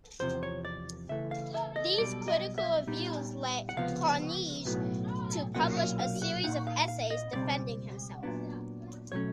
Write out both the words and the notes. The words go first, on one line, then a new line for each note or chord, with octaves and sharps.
These critical reviews led Carnegie to publish a series of essays defending himself.
E2 C3 F3 C5
C#5
D5
C#3 E3 A3 E5
F5
E5
D#5
B1 B2 G3 D5
D#5
E5
A#2 G3 B3 D#4
F#5
C#2 C3 F3 B3 F5
B1 A2 F#3 B3
B1 A#2 F#3 A#3 C#4 F#5
F5
F5
F#5
A#2 F3 A#3 D#4 F#5
F5
F5
D#5
C#2 B2 G3 C4 D5
A#2 F#3 B3 D4
B2 F#3 A3 C#4 C#5